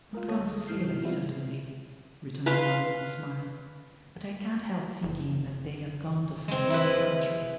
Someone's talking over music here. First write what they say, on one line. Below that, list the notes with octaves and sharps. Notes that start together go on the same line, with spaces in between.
'Not gone for sailors, certainly,' returned the mother with a smile. 'But I can't help thinking that they have gone to some foreign country.'
F4 A#4
D2 G#3 A4 C#5 D#6
G#1 G#2 E3 F6 G6 C7
F3 G3 G#3 B3 C4 E4
B4 F5 C6
F#1
G#3 C4
E4 B4